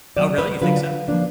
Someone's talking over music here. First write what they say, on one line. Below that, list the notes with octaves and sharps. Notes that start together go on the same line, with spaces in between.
Oh, really? You think so?
D#3 F#3 B3 D5
B4
D3 F#3 D4 F4 B4
F3 A#3 D4 F4